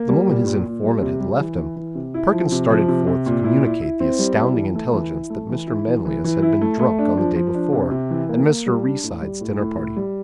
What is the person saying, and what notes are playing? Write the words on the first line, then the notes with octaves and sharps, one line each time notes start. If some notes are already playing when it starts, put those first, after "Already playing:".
The moment his informant had left him, Perkins started forth to communicate the astounding intelligence that Mr. Manlius had been drunk on the day before, at Mr. Reeside's dinner-party.
Already playing: A#3
G3
A#2
A#2
A#2
G3
C3
G3
E3
E3
E3
C3
E4
F3
C3
F3
C3
C3
A#2
E4
E4
E4
C4
G3
E4
E3
A3
E3
E4
A3
E3
E4
E3
E3
E3
E4
A3
A3
D4
F3
F3
D4
C3
C3
E3
A#3
A#3
G3
D4
A2
G3
A2
A2
A2
G3